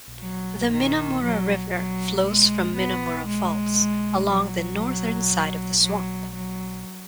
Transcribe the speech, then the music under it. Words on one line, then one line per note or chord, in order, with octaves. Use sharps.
The Minnamurra River flows from Minnamurra Falls along the northern side of the swamp.
F#3
D#3
F#3
F#3
G#3
B3
G#3
F#3
F#3
F#3